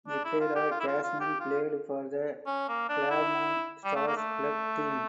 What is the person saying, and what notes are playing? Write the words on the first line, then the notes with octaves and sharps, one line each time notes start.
Zepeda Cashman played for the Claremont Stars club team.
D4
E4
F4
G4
F4
E4
F4
F4
G4
F4
C#4
A#3
D4
E4
G3
A3
A#3
A3